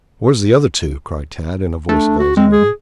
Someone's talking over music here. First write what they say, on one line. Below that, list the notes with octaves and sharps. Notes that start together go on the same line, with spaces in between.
"Where's the other two?" cried Tad in a voice of anxiety.
A3 D4
F#4
G#3 C4
G#4